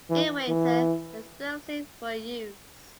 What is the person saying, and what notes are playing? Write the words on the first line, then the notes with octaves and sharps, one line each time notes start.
In winter, explosives were used.
E3
E3